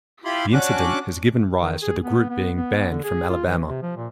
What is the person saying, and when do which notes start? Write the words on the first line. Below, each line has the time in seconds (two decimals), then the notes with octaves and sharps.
The incident has given rise to the group being "banned from Alabama".
0.25 E4 F4 G4 B5 C6
0.53 C#4 D4 F#4 D6 F#6
1.62 D#3
1.82 G#4
2.05 B3
2.29 B3
2.56 B3
2.90 D3
3.04 G#4
3.29 F4
3.46 E3
3.66 C3
3.82 F3
3.96 A#2